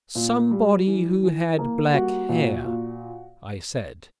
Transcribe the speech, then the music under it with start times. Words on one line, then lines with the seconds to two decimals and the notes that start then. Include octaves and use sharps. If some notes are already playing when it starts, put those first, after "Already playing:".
"Somebody who had black hair," I said.
0.15 A#2
0.51 G3
0.87 E3
1.23 E3
1.58 A#3
1.93 G3 F#4
2.29 A#2
2.65 A#2